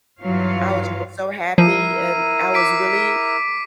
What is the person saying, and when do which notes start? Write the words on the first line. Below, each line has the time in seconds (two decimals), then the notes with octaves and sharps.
I was just so happy and I was really,
0.21 G2 E3 F#3 F4 C#5 F5
1.58 F3 E4 A#4 C7 D#7
2.54 D6 B6 D7